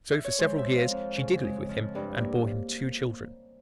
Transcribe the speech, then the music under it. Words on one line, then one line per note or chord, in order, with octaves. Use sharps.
So for several years she did live with him and bore him two children.
E5
C#5
G#3 C5
E5
F3
F5
F2
C#3
G#3
F3
G2
A#3